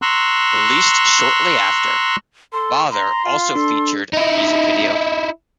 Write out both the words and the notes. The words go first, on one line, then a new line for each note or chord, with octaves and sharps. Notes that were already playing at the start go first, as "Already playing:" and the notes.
Released shortly after, "Bother" also featured a music video.
A#5 C6 C#6 E6 F#6
A4 C6
A#5 C6
F4
D4 A4
D#4 E4